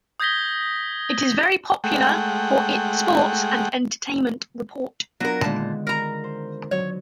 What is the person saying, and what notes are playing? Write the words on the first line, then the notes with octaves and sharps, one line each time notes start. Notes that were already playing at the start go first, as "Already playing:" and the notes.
It is very popular for its sports and entertainment report.
D#6 G6 G#6 A#6 B6 G7
G#3 A3 F#5 G5
F#3 B3 D4 F4 A#4
A#2 D3 D#3 G#3 A5
A#4 A#5
C5
F#3 C#5